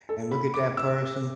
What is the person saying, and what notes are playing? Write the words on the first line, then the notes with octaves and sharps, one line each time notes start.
and look at that person
A4
B5
D6
E6